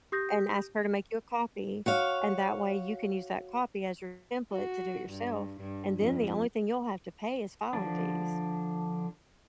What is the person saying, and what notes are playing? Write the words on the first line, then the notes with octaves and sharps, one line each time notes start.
and ask her to make you a copy. And that way, you can use that copy as your template to do it yourself, and then the only thing you'll have to pay is filing fees.
G4 D#6 G6 A#6
F#4 C#5 F5
F#4
G2
G2
F2
D3 F3 D4